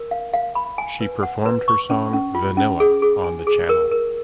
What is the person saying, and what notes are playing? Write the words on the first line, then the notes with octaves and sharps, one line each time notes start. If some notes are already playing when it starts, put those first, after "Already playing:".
She performed her song Vanilla on the channel.
Already playing: A#4
F5
F5
B5
G#5
B4
F#5
B4
C#6
C#4
C#4
F4
C#4
G#4
G#4
G#5
G#4
A#4
A#4